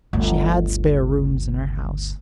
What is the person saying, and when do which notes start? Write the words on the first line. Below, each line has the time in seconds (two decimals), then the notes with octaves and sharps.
She had spare rooms in her house.
0.13 G1 D2